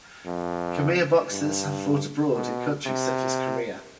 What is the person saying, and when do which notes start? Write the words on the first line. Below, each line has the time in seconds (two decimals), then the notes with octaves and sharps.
Khmer boxers have fought abroad in countries such as Korea.
0.25 F2
1.30 G2
2.34 B2
2.86 C3